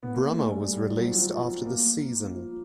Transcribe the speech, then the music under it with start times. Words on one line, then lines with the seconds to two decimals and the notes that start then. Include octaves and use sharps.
Brummer was released after the season.
0.03 B3
0.14 A#3
0.26 A3
0.38 G#3
0.49 G3
0.73 G3
0.96 F#3
1.04 F3
1.11 F#3
1.19 F3
1.42 F#3
1.65 A#3
2.35 F3